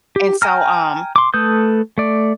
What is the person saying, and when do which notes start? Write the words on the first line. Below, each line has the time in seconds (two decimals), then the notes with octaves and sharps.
and so, um
0.16 G4
0.42 G5 G#5 A#5 F6
1.16 C6 D6
1.34 A3 A4 B4 D#6 G6
1.98 A3 D5